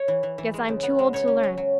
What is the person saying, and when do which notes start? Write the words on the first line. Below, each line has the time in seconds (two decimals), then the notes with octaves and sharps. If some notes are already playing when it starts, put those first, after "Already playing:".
Guess I'm too old to learn.
Already playing: C#5
0.08 E3
0.23 E3
0.38 E3
0.54 G#3
0.68 C#3
0.83 B3
0.99 G#3
1.13 C#3 C#5
1.28 C#4
1.43 C#4
1.57 F#3